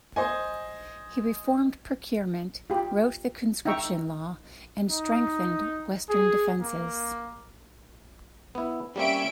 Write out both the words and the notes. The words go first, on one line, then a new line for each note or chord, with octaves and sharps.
He reformed procurement, wrote the conscription law, and strengthened western defenses.
C5 D#5 G#5
F4 G4
D#4 E5 G5 A#5 C#6
D#4
G#4
A#3
B3 E4
G3 A#3 C4 C#4 E5 D7